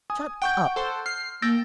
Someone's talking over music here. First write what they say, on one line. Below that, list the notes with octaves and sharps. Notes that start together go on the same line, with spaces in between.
"Shut up!"
G#5 D#6
F#5 G5 C#6 G6
A4 C5
F6 C7
A#3 G5 E6 A6 A#6